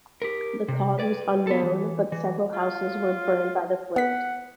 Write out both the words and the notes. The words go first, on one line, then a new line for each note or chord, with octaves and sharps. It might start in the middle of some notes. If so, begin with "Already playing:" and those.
The cause was unknown, but several houses were burned by the flames.
G4 A#4
C3
B4 D5
B3 A4
E3
E3
F4
B3 F#5 B6